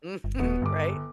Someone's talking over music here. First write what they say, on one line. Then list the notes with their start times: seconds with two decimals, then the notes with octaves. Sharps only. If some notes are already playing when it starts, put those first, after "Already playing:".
Mhm, right?
0.24 G1
0.39 D#1 B2 B3
0.62 G1 G2 D6